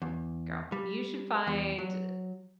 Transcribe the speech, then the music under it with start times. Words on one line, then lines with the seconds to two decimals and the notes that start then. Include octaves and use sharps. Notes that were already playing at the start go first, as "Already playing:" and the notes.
girl, you should find,
0.02 E2
0.72 G3
1.47 E2
1.79 F#3